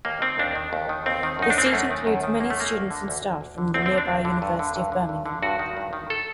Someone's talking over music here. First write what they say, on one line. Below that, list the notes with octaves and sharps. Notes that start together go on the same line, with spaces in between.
The seat includes many students and staff from the nearby University of Birmingham.
D#2 A#3
D#3 C4
D#2 D4
D#3
D#2
D#3
D#2 C4
D#3
F#2 D#4
D4
D#3 C4
A#3
F#2 A3
D#3
F#2
D#3
F#2 A#3
A3
D#3 A#3
D2
D3
D2
D3
D2
D3
D2 C4
C4
D3
D4
G2
D3
G2
D3
G2
D3
G2
D3
G2 F#4
D#3
G2
D#3
A4